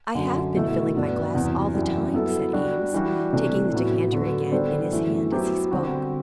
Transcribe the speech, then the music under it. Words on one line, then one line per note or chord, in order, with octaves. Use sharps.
"I have been filling my glass all the time," said Eames, taking the decanter again in his hand as he spoke.
F#2 D3 F#3
B2 A3 E4
G2 F#3 B3 D4
E2 C3 F#3
F#2 E3 G3
F#3 B3 E4 A4
G3 D4 F#4
E3 G3 D4 F#4
C3 E3 A3 D4 A4
A2 F#3 B3 F#4
D3 F#3 B3 F#4 A4
G3 B3 D4 A4 C5
F#2 E3 A3 E4
F#3 B3 E4 G4 C5
D3 G3 C4 F#4